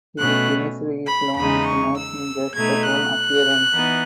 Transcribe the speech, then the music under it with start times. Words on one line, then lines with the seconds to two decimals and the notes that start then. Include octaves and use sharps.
He finished his loan with making just that one appearance.
0.19 B2 A3 C#4 F#6
1.08 B5
1.37 E2 C#3 G#3 D#4 B5
1.67 C#6
1.97 E6
2.56 B2 A3 D#4 G#6
2.85 F#6
3.74 E3 B3 D#4